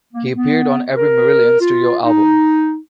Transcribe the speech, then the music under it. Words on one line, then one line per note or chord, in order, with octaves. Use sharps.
He appeared on every Marillion studio album.
A#3
B3
A#4
F4
D#4